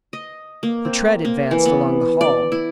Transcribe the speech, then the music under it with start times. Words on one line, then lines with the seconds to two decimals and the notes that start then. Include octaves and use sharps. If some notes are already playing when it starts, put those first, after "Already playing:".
The tread advanced along the hall.
0.13 D#5
0.63 A#3
0.85 C4
1.25 A#3
1.51 E3
1.66 B3
2.21 D5
2.52 E4